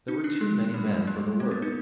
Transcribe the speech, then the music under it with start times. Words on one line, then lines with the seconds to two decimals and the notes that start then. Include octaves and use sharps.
There were too many men for the work.
0.08 D#4
0.24 D4
0.41 G#3
0.65 G#3
0.74 G3
0.85 G#3
0.91 G3
1.07 G#3
1.40 A#3
1.51 B3
1.62 D#4